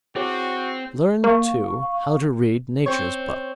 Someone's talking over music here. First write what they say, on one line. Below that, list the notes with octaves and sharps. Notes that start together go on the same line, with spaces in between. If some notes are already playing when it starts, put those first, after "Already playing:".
Learn, too, how to read Nature's book.
C4 E4 F#4 G#4 C#5
A#3 F5 C#6
C4 C#5